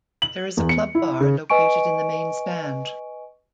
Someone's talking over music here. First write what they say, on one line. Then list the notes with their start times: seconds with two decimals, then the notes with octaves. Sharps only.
There is a club bar located in the main stand.
0.22 F#7
0.57 E2
0.69 C#7
0.95 E4
1.21 C#3
1.50 B4 D#5 G#5 C#6 D7